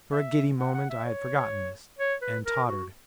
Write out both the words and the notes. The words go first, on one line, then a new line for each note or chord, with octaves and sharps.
For a giddy moment I had forgotten this, and tottered.
E5
F#5
F#5
E5
C#5
C#5
B4
A#4
F#4